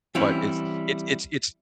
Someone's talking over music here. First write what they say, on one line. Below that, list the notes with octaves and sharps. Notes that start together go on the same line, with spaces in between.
but it's it's it's it's
E3 G3 C4 C#4 E4